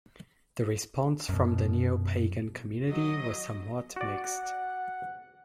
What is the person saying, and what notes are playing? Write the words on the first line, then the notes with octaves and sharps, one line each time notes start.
The response from the Neopagan community was somewhat mixed.
F#2 B2
F#3 D#5
F#4 D5 F#5